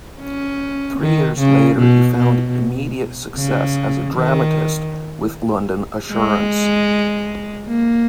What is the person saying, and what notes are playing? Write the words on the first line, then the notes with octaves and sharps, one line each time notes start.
Three years later he found immediate success as a dramatist with "London Assurance".
C#4
D#3
C#3
B2
B2
C#3
D#3
G#3
A#3